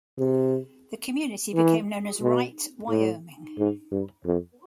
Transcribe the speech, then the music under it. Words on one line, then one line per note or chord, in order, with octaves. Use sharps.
The community became known as Wright, Wyoming.
C3
E3
B2
A2
G#2
G2
F2